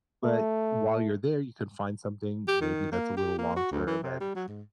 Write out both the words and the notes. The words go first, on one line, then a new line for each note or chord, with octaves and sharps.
but while you're there, you can find something maybe that's a little long term, and
A3
G4
D#3
A#3
G4
A#3
F#4
D2
E3
C3
G3
F#3
G#2